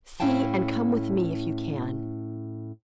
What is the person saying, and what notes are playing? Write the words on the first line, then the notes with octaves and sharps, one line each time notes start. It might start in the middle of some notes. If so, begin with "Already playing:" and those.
See and come with me if you can.
A2 C#4 E4 F5 G5 A5